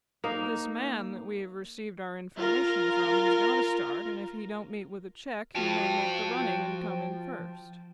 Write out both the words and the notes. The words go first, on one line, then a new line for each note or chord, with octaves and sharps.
This man that we have received our information from, has got a start, and if he don't meet with a check he may make the running and come in first.
A#3 D#4
F4 A#4
F3 F#4 G5 A5